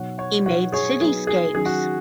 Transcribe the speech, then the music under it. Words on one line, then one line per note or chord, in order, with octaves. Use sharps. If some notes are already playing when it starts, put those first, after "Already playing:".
He made cityscapes.
Already playing: B2 F#3 D#4 C#5 F#5
C#5 F#5
B2 F#3 B3 D#4 C#5 F#5
G#4 C#5
F#3 B3 D#4 G#4
G#4
D#3 F#3 C#4 G#4
F#4